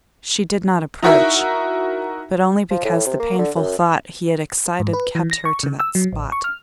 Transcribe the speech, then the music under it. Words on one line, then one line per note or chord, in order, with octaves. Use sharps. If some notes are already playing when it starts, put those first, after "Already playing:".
She did not approach, but only because the painful thought he had excited kept her to that spot.
D#4 E4 F#4 A#4 E5
F3
A2
C3
A#3
D3
F#2
G#2
B4
E3
A#6
C#6
C#3
E6
F#3
A1
C#6
F6